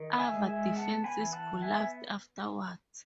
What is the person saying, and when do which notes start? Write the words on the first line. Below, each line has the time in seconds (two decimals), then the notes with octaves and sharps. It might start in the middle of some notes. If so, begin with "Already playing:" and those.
Ava defenses collapsed afterwards.
Already playing: D#3
0.18 E5 G#5
0.33 G#3
0.47 E5 G#5
0.75 B3 F#5 A5
1.04 G#5 B5
1.19 E3
1.32 F#5 A5
1.62 B3 E5 G#5